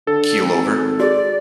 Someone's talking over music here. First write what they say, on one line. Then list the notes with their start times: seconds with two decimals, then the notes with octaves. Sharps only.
keel over?
0.07 D3 A4
0.42 G#1
1.00 F#4 G#4 D5